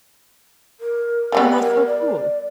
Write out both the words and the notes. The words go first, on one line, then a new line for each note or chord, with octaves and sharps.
Oh, that's so cool.
A#4
F3 G3 B3
A#4
D5